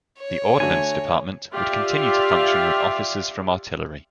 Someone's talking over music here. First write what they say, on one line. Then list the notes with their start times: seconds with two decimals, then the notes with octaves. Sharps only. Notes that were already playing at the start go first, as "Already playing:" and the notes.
The Ordnance Department would continue to function with officers from artillery.
0.18 C#5
0.60 D3 A3 F#4 G#5
1.53 F4 G4 D5 E5 F5